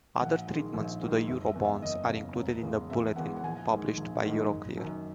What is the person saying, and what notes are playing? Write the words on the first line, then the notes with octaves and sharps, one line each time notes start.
Other treatments to the Eurobonds are included in the bulletin published by Euroclear.
A#1 F#5
G#2 D#3 G#3
A#1
G#2 D#3 G#3
F#1 E5
E5
E2 C#3
E5
F#1 D#5
E2 C#3
E1
E2 C#3 E3 G#3
E1 E5
E2 C#3 E3 G#3 F#5
F#5
A#1 G#5
G#2 D#3 G#3
A#1
G#2 D#3 G#3
F#1
F#2 D#3